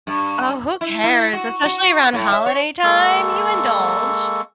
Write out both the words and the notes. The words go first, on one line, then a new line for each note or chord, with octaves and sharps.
Oh, who cares? Especially around holiday time, you indulge.
G2
E4
E4
F#4
F#4
A2
E5
C#5
G#3 A#3 A4 C#6